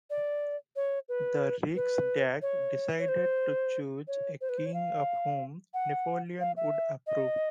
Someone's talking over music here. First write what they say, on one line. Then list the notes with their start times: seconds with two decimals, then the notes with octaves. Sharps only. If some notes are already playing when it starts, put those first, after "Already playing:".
The Riksdag decided to choose a king of whom Napoleon would approve.
0.10 D5
0.76 C#5
1.09 B4
1.76 B4
2.42 C#5
2.99 C#5
3.08 C5
4.08 C#5
4.41 C5
4.49 B4
4.58 C5
4.66 C#5
4.74 F5
5.74 F#5
6.40 F5
6.56 E5
7.07 D#5